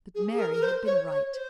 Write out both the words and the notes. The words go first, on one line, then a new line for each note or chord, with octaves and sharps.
But Mary had been right.
G#4
G#4
A#4
A#4
C5
C#5
C#5
C5